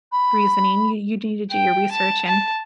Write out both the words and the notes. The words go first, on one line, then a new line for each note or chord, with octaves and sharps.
reasoning, you you do need to do your research, and
B5
G5
A5
A5